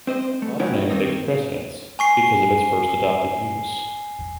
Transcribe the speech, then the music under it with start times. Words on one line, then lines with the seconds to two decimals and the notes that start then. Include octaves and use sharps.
The latter name takes precedence because of its first adopted use.
0.07 C4 C5 D#5
0.42 C2 A3
0.59 C#4 D#4 E4 F#4 A#4 G5
0.90 D#3 A#3 C4 D#4
1.99 G#5 C#6 C7